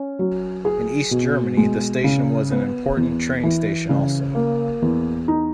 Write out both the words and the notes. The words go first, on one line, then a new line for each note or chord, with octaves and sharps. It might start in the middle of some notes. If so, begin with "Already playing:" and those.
In East Germany the station was an important train station also.
Already playing: C#4
F#3
G#4
B2
G#3
C#3
B3
E2
E3
C#3
A#3
E2
D#4